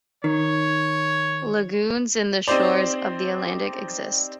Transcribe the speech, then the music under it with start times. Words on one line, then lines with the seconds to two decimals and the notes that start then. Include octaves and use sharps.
Lagoons in the shores of the Atlantic exist.
0.24 D#3 C#5
2.48 C4 D#4 G4 C5 D5